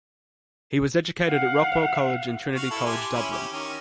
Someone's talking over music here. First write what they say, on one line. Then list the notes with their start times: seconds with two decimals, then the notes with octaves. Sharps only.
He was educated at Rockwell College and Trinity College, Dublin.
1.27 F5 F#5
2.56 F#4 F5
2.71 E4 A4
2.86 G4 G#5 C6
3.15 C#4 E4
3.32 G4
3.52 D#3 C#4